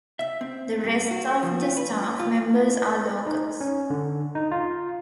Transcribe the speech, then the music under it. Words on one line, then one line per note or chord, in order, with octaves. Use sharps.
The rest of the staff members are locals.
E5
C4
G2
F#4
F3
F4
B4
F4
D#4
C#4
D3
D#4
F4